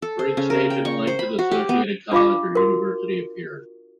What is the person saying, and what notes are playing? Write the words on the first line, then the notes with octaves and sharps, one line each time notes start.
For each station, a link to the associated college or university appears.
A4
C5
C#3
A#4
G5
C#6
C5
B5
F#4
G4
B3
D4 F4 D#5 F5 D6
F#4 A#4